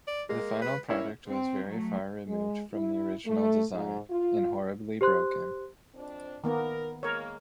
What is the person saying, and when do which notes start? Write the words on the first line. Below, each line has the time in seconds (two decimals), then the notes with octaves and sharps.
The final product was very far removed from our original design, and horribly broken.
0.08 D5
0.29 G#3 A#3
0.62 B4
0.89 A#3 C#4 E4 C#5
1.28 C4
1.67 F#3 A3
2.28 G#3
2.74 E4
3.26 A3
3.75 G#2
4.10 F4
5.01 G4 C5 C6 F#6
5.94 F2 C4 D4
6.44 D#3 A#3 B3 A#4
7.03 G#3 A#3 A#4 C#5